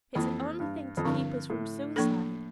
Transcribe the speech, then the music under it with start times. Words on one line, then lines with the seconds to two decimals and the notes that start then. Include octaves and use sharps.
It's the only thing to keep us from suicide.
0.15 F2 E3 A#3 E4
0.60 G2
0.97 F2
1.05 G2 D3 F3 C4 E4
1.50 A2
1.96 F3 A#3 D4 A4